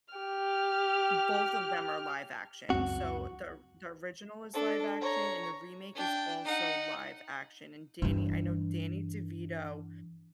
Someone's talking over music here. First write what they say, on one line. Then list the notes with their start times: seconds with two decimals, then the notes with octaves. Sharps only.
Both of them are live action. So, the or the original is live action, and the remake is also live action, and Danny I know Danny DeVito
0.14 G4 F6
2.70 C#2 F#2 C4 F#4
4.54 D4 A4
5.01 C#5 A#5
5.95 D4 G5
6.45 D#4 F#5
8.02 G2 E3